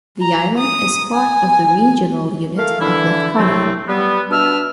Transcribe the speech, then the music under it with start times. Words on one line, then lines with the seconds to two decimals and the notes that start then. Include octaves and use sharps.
The island is part of the regional unit of Lefkada.
0.21 A#5
0.58 D#6
1.14 G#5
2.58 A3 A#4 F5
2.80 D3 E3 E4
3.37 C2 F#3 A3 C4
3.88 G3 B3
4.30 B2 D4 E5 E6 F6